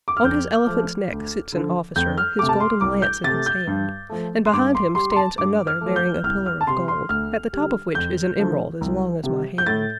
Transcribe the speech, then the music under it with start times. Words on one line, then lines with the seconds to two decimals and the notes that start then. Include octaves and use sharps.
On his elephant's neck sits an officer, his golden lance in his hand, and behind him stands another bearing a pillar of gold, at the top of which is an emerald as long as my hand.
0.08 D6
0.17 F6
0.24 F2 G6
0.67 F3 A3
1.11 D2
1.52 D3 F3
1.96 F2 G6
2.18 F6
2.38 C3 A3 D6
2.49 A5
2.60 C6
2.81 C2 D6
3.02 G6
3.24 C3 A3 A6
3.46 G6
3.67 G2
4.09 F3 A3
4.46 C6
4.53 G2 D6
4.75 C6
4.95 G3 C6
5.12 C6
5.16 A5
5.38 G2 D6
5.67 F6
5.81 F3 A3
5.96 G6
6.23 C2 F6
6.46 F6
6.61 A5
6.67 C3 G3 C6
6.88 C6
7.09 D2 F6
7.53 D3 G3
7.95 F2 G6
8.38 D3 F3 A3
8.81 C2
9.23 C3 G3
9.58 G6
9.66 A2 A6